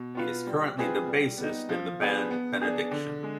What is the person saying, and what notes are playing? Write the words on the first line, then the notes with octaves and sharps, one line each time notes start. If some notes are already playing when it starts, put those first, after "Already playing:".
He is currently the bassist in the band Benediction.
Already playing: B2
B3 F4 B4
G3
C4 F4 G#4 B4
G3
B3 D#4
F3
B3 D4 G#4 B4
B3
D4 G#4
D3
G#3